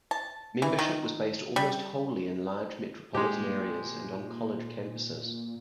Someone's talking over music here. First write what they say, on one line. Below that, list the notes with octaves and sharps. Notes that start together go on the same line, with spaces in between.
Membership was based almost wholly in large metropolitan areas and on college campuses.
A5
E3
D#3
G3
A#2 G#3 G4